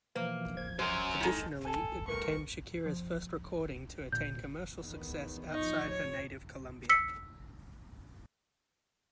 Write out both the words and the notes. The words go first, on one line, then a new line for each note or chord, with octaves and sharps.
Additionally, it became Shakira's first recording to attain commercial success outside her native Colombia.
B2 E3 F3 A#3
F3 G#6
F#2 A#4 C5
D#3 G#3 D#4 E4 A4
A4 G#5 A5
G2 A3 A#4 B4 C#6
F3
A#2 D3 G6
E2 D#3 B3
A2 F3 D#4 C#6
C#5
E6 B6 C#7